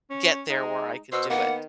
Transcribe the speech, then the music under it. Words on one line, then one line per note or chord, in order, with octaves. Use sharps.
get there where I can do it.
C#4
G#3 D#4
B2 C5 E6
D#3 A#3 B3 F#5